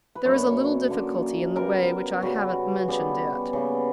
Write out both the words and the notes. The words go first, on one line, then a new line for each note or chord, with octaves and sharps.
There is a little difficulty in the way which I haven't mentioned yet.
B4
F#2 D3 A#3 C#5
F#2 D3 A#3
C#3 G3 B3 A#4
C#3 G3 B3 F#4
C#3 G3 B3
C#3 G3 B3